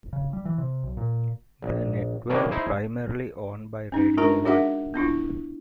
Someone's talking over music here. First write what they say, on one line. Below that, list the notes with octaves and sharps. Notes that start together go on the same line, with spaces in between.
The network primarily owned by Radio One.
C#3
G3
E3
C3
B1
A#2
A#1
C2 B2 D#3 A#3 C#4 D4
D#4 E4 G#4 C5
C#4 D#4
G#3 D4 F4 A#4 A#5
D4 F#4 G#4 A#4 E5 F#5
B3 D4 E4 F4